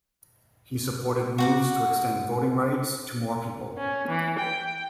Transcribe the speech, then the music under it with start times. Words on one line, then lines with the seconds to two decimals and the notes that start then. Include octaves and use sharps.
He supported moves to extend voting rights to more people.
1.38 F#4 F#5 D6
3.78 C#4
4.08 E3
4.39 G5